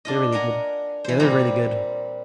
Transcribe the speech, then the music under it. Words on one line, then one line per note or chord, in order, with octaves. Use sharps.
they're really good. Yeah, they're really good.
D4 F4 D#5
A#4 F#5 G#5 A#5
E3 C5
A#2 G3 C4 F4 A#5 B5